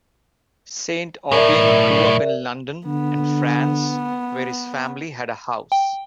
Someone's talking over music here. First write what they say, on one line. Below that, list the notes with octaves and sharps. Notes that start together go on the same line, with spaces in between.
Saint Aubyn grew up in London and France, where his family had a house.
B1 A2 A#4 D5 E5
D3 B3
G5